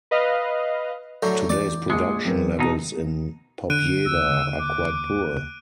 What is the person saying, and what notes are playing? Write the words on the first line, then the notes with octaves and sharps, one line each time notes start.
Today’s production levels in Pobjeda are quite poor.
B4 D#5 F5
A2 D3 F#3 G6
E3 D5 D6
A#1 G#3 C#7
F#2 C4 A#4 B4
B2 D#4
D3 F#6 D7 D#7
D#2 E6
D6